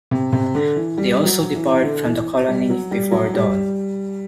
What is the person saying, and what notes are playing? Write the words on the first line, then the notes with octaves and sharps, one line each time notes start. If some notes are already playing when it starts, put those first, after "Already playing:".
They also depart from the colony before dawn.
C3
C3
D3
E3
G3
F#3
E3
D3
E3
G3
F#3
G3
F#3
G3